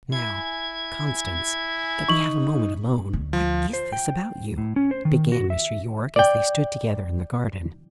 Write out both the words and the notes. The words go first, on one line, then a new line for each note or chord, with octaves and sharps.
"Now, Constance, that we have a moment alone, what is this about you?" began Mr. Yorke, as they stood together in the garden.
E4 G#5
D#4 C#6 F#7
D2
F3
C5
G5
A2
C#4
C5
D#3
F#4
E5
D5 G5